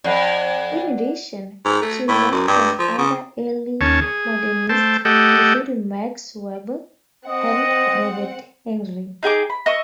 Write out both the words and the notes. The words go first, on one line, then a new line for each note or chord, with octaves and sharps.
In addition, she learned from other early modernists including Max Weber and Robert Henri.
F2 D5 F#5
G#2
A3
A2
F#2
G2
F3
C#3
D#2 C#4 C#5 A5
G#4
A3 C5 G5 A5
A3 G4 A4 D#5 F#5 G5
C4 D#5 F#5
D#4 G#4 G5 D6
B5
D#5 E5 C#6